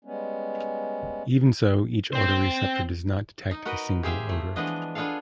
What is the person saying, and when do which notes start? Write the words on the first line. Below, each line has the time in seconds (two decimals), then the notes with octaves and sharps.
Even so, each odor receptor does not detect a single odor.
0.05 G3 G#3 B3 C#4
2.13 C4 C5
3.51 D#4
3.65 F#4 A#4 B4 D#5
4.03 G4 G#4 C5 E5 F5 G5
4.29 A3
4.56 E3 F3 G#3 B3 D4 D#5
4.95 B3 D4 F4 G#4 A4 F5